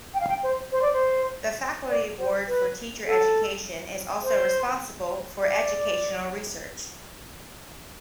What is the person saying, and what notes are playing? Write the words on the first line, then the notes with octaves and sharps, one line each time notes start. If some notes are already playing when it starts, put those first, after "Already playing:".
The Faculty Board for Teacher Education is also responsible for educational research.
G5
F5
G5
C5
C5
D5
C5
D5
C5
B4
A4
C5
D5